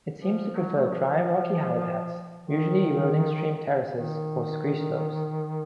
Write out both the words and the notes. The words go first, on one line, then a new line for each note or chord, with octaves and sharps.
It seems to prefer dry, rocky habitats, usually eroding stream terraces or scree slopes.
F3
F#3
A3
F#3
F3
D#3
D#3